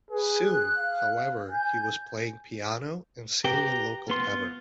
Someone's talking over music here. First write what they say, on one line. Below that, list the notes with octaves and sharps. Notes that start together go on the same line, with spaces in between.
Soon, however, he was playing piano and singing in local taverns.
G#4 B4
F#6
F5
G#5 G6
G4 B4 G5 A#5
B3 F4 C6